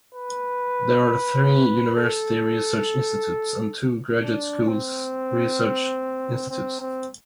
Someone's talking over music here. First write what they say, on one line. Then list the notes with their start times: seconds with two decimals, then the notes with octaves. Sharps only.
There are three university research institutes and two graduate school research institutes.
0.14 B4
1.96 A4
4.23 D4
4.68 C4
6.50 C4
6.81 C4